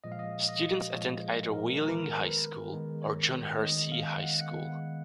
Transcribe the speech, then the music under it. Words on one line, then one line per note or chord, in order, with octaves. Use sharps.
Students attend either Wheeling High School or John Hersey High School.
A#2 F3 G#3 D#5
F5
D#5
D#5
A#2 F3 G#3 C#5
A#4
D#3 G#3 B3 A#4
B4
D#3 G#3 B3
C#5
C#5
D#3 G#3 B3 D#5
F5
F#5
F#5
D#3 G#3 B3